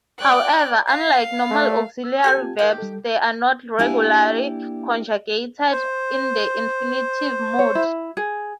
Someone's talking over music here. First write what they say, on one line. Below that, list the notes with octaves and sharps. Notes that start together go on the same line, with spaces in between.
However, unlike normal auxiliary verbs, they are not regularly conjugated in the infinitive mood.
D5 G5 F#6
F5
A3
E6
G4 A4 G#5
C4 F4
D#3 G4 A#4 F5
G3 A4
A#3 D4 E4 G4 G#5
C5
C#5
E4
G#4